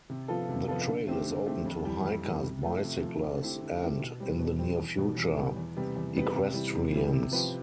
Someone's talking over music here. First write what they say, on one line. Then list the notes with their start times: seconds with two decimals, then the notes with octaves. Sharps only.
The trail is open to hikers, bicyclers, and, in the near future, equestrians.
0.10 C3
0.28 F3 B3 F4 A4
0.49 C3
0.68 F3 B3 F4 A4
0.88 D3
1.07 A3 C4 G4
1.26 D3
1.46 A3 C4 G4
1.66 F2
1.85 E3 G3
2.05 F2
2.24 E3 G3
2.43 C3
2.63 F3 A3
2.83 C3
3.02 F3 A3
3.22 D3
3.42 A3 C4 E4 G4
3.62 D3
3.80 A3 C4 E4 G4
3.99 B2
4.20 G3 C4
4.39 B2
4.58 G3 C4
4.79 E2
4.98 B2 G3 B3
5.17 E2
5.37 B2 G3 B3
5.56 E2
5.76 C3 G3 B3
5.96 E2
6.15 C3 G3 B3
6.34 C3
6.54 E3 G3
6.73 C3
6.93 E3 G3
7.13 C3
7.32 F3 C4 G4 B4